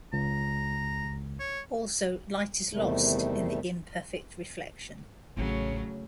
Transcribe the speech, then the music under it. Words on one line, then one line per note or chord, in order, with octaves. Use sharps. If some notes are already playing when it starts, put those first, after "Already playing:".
Also, light is lost in the imperfect reflection.
C#2 A#5
C#5
E2 C3 D#3 G3 A3
A1 C#3 F#3 A3